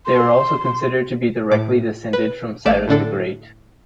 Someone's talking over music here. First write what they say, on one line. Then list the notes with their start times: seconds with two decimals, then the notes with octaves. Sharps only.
They are also considered to be directly descended from Cyrus the Great.
0.06 C6
1.52 A2 D6
2.13 B4
2.65 A1 A3 D5 A6 E7
2.88 A2 D3 D4 A4